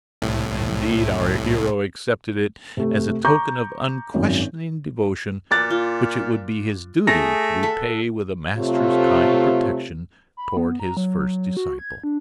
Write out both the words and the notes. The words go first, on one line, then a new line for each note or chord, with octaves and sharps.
Indeed, our hero accepted it as a token of unquestioning devotion which it would be his duty to repay with a master's kind protection toward his first disciple.
C2 A2
C3 A3
A#5 C#6 D6 G6
G#1 F#2
A#2 D6 F#6 A6
F4
A3 G#4 A#6
A4 E5 F#5
C3 F#3 A3 F4
B5
B3
A#5
F#3
F#4
G#6
D4